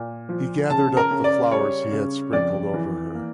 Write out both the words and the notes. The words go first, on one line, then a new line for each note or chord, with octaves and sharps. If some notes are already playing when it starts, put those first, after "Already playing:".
He gathered up the flowers he had sprinkled over her.
Already playing: A#2
F3
C#3 A5
A#4
C#3
D5
G3 C#5
C#3
F2 D5
E3
A#3